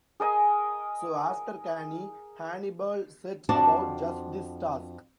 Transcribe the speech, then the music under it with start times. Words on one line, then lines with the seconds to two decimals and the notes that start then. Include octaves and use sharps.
So after Cannae, Hannibal set about just this task.
0.20 G#4 A#4 D#5 G#5
3.49 F2 D4 F#4 C5 D5 A5